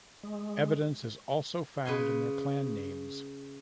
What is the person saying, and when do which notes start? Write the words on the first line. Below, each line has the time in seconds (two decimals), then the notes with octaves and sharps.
Evidence is also found in their clan names.
0.23 G#3
1.85 C#3 B4 G#5 C6